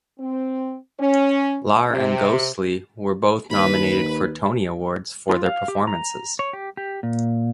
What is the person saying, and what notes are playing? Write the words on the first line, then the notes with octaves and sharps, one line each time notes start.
Lahr and Ghostley were both nominated for Tony Awards for their performances.
C4
C#4
C3
D#2 B4 B5
F4
F5
G4
A#5
C#5
G4
G4
A#2